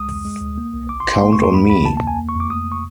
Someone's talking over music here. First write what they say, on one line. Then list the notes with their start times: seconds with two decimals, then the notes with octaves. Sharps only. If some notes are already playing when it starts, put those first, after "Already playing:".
Count on me...
Already playing: C#2 G#3 D#6
0.09 F2
0.25 G#3
0.41 D2
0.58 A#3
0.74 C2
0.89 A1 D6
1.00 C6
1.05 A1
1.11 C6
1.21 A#3 C6
1.33 E2 C#6
1.43 C6
1.54 G#3 B5
1.70 C#2 B5
1.85 A#3 A5
1.97 E2 A5
2.07 G#5
2.19 A#3
2.29 C#6
2.34 F2
2.40 D6
2.50 A3 D#6
2.72 C#6